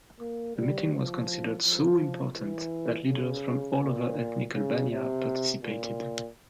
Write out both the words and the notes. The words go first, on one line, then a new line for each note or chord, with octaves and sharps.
The meeting was considered so important that leaders from all over ethnic Albania participated.
A#3
G3
F3
F3
E3
C#3
A#2
C#3
C3
A#2